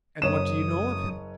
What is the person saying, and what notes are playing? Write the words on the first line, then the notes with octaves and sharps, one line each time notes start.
"And what do you know of him?"
F#1 F#2 C#5 D#6 E7